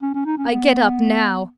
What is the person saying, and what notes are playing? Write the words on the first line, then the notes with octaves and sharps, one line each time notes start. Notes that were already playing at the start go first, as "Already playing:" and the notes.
I get up now!
C#4
C#4
D#4
C#4
B3